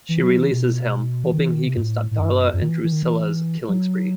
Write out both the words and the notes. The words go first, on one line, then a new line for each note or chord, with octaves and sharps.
She releases him, hoping he can stop Darla and Drusilla's killing spree.
E3
F#3
E3
B2
E3
D#3
E3
D#3
C3
G2
A2
A2
F#2
G2
F#2
F#2
D#3
E3
E3
D#3
E3
F#3